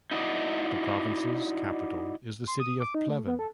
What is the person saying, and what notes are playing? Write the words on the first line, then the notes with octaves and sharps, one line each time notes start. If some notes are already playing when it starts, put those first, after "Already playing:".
The province's capital is the city of Pleven.
D#4 E4 F#4 D5 D#5
C6
D#6
D6
D#4
A3
B3
A4